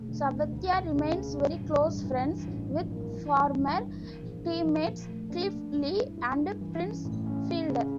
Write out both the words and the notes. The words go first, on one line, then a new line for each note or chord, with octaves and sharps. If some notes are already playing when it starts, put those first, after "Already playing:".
Sabathia remains very close friends with former teammates Cliff Lee and Prince Fielder.
Already playing: E1 A3
D3
D2
D2
E1
C#3
E1
G2
A1
G2
E3
G2
A1
F3
A#3
E3
G2
G1
E3
A#3
A#1
A#3
F3
A#2
A3
D4
A#2
G2
E4
E4
G2
E3
C#4
A2
C#4
C#3
C#3